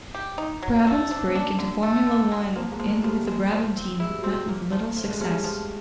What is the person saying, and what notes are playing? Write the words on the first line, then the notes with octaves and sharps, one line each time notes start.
Brabham's break into Formula One in with the Brabham team met with little success.
G4
D#4
F#3
A3
C4 D4
C#4
A#3 C4
D4
D3
A3
D3
F#3
F3 A#3 C4
G#3 A#3
F3
G#3 A#3
F3 G3 A3
G#3
F3
C4
G#3 E4
G3
F#3 G#3
C4
A#3
F3
F3 A3
G#3
G3 A3 C#4
F3